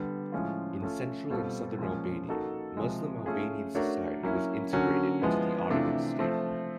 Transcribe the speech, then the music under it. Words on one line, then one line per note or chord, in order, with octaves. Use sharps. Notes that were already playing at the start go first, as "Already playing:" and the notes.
In central and southern Albania, Muslim Albanian society was integrated into the Ottoman state.
Already playing: D3 G3 B3
A2 F3 G#3 C#4 F4
A3 C#4 F4 A4
B2 G3 C4 F4 A4
A#2 F3 G#3 C#4
A#3 D#4 F#4 A4
C3 F3 G#3
A3 C#4 F4 G#4
A3 D4 F#4 A#4 C#5
F#3 A#3 C#4 E4
D3 F#3 A#3 C#4 F#4
F3 G#3 B3 E4
C3 E3 A3 D4 F4
F3 A3 C4